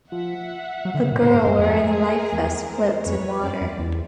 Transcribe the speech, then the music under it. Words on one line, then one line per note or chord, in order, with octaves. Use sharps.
A girl wearing a life vest floats in water.
F3 E5 F#5
F#3
D3
C#3
A#2
A2 A#4 C5
G#2
G2
F2 G#4 A#4
E2
A#4 C5
F2 B4 C#5
F#2 C5 D5
F2
E2